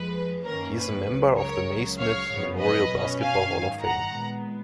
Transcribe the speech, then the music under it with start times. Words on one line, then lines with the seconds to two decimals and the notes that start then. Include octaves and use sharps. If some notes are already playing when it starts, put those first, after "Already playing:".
He is a member of the Naismith Memorial Basketball Hall of Fame.
Already playing: F2 F3 G#3 B4
0.45 F#2 D#3 A#3 C#4 A#4
0.77 B4
1.07 C#2 C#3 F#3
1.37 A#4 C#5
1.68 C#2 C#3 F#3
1.98 C#5 F5
2.29 F#2 C#3 F3 B3
2.59 B4 D#5
2.89 B2 F#3 C#4
3.20 F5 G#5
3.50 G#2 D#3 F#3
3.81 F#5 A#5
4.11 A#2 G#3 B3